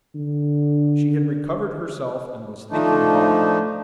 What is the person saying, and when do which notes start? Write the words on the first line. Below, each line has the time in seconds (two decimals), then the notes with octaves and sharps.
She had recovered herself and was thinking hard.
0.15 D3
2.70 F3 A3 D4 D#4